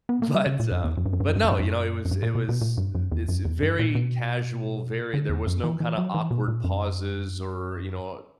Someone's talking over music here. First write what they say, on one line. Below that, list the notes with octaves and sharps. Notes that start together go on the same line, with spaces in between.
But um, but, no, you know, it was it was it's very casual, very there was no kind of awkward pauses, or, you know, uh,
B3
A#3
G3
C#3
A#2
F#2
E2
F#2
G2
F#2
G2
F#2
G2
F#2
G2
F#2
F#2
G2
A#2
B2
B2
A#2
G2
F#2
E2
F#2
E2
G2
A#2
B2
D3
E2
F#2
E3
E3
F#3
E3
B2
A#2
F#2